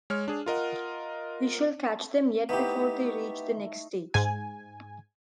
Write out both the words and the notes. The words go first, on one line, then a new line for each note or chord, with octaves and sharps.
We shall catch them yet before they reach the next stage.
G#3 C#5 F6
D4 G#4
F4 A#4 D#5 F#5
A3 B3 D#4 E4 G4
G#2 G#5